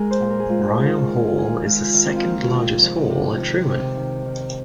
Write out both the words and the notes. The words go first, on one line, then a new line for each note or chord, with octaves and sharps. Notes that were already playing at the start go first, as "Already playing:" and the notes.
Ryle Hall is the second largest hall at Truman.
Already playing: G#3 G#4 A#4
C5
A#2
A#4
G#4
G#3 F4
G#3 D#4
F4
D#4
D#3 D#4
G#4
F4
D#3 G#4
F4
G#3 F4
D#3
C4
F4
A#3 D#4
C3
F3
C3
D#3 D#4
C3
D#3
D#3